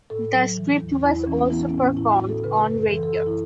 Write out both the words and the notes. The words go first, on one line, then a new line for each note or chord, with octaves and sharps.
The script was also performed on radio.
A2 A4
F#3
E3
E2
E2 E4
E4
E3 C#4
B3
E3 E4
C#4
B3
A2 C#4
A2 E4
F#4
A2
A4
C#3 B4
F#2
E3 A4
A4
F#2 A4
E4